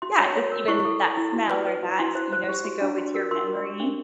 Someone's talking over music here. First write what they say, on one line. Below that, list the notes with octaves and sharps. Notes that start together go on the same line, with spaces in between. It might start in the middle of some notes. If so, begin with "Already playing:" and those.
yeah, just, even that smell or that, you know, to go with your memory
F#4 C6
C#5
C#5
A#4
E4 C#6
A4
A4
E4
F#4
B4
B4
F#4
E4 C6
C5
C5
G4
F#4
D4
F#4
A#4
A#4 C6
A#4
G4
D4